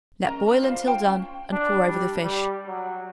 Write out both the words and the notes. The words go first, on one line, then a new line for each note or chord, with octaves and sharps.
Let boil until done and pour over the fish.
C#4 A#4 D#5 A#5
D4 A#4 B4 B5
D4 F4 C5 F5
F4 G5 A5
C#4
D4
G3
G3
F#3